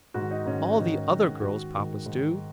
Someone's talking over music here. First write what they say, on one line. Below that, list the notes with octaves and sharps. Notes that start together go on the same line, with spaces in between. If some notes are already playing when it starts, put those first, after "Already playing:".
"All the other girls' Papas do."
G#2 D#3 F#4
D#4
G#2 D#3 C#4
C#4
G#2 D#3 D#4
G#2 D#3
G#2 D#3 F#4
G#2 D#3
G#2 D#3